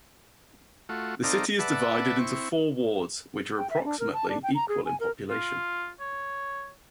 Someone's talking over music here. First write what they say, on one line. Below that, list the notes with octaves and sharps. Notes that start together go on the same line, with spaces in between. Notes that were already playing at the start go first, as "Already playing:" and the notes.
The city is divided into four wards which are approximately equal in population.
A3 F4 F#4
C4 D#4 A4 D5 F5 A#5
B4 D5 E5 F#5 A5
C4 E4 C#6
G5
E5
D4
A#4
A5
D4
G5
A#5
G#4
G#5
A#4
F4
C#5